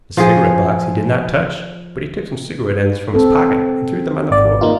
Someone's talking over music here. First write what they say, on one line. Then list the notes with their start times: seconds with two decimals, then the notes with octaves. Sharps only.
The cigarette box he did not touch, but he took some cigarette-ends from his pocket and threw them on the floor.
0.17 F3 G#4
3.14 C4 A4
4.31 G#1 D5
4.61 A#3 D#4 F4